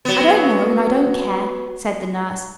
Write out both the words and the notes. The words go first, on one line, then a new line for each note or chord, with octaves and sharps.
"I don't know and I don't care," said the nurse.
F#3 B3